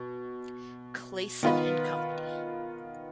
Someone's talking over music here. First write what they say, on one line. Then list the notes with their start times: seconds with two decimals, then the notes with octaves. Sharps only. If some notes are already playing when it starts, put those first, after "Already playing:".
Clayson and Company.
Already playing: B2
1.43 D#3 B3 F4 B4